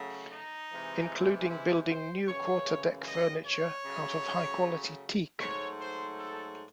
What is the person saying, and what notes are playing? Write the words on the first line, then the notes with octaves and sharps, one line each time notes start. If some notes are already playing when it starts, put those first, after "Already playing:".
Including building new quarter deck furniture out of high quality teak.
Already playing: C#3 F#3 A3
D#4
C3 E3 G#3
E4
C5
F#2 C#3 E3 C#5
D#5
C#5
C#3 F#3 A3
G#2 F#3 A3 C#5
C5
A4